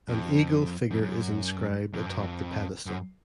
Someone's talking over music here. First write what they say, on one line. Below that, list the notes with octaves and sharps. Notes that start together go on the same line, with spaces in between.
An eagle figure is inscribed atop the pedestal.
F2
F2
F#2
F2
F#2
F2
F#2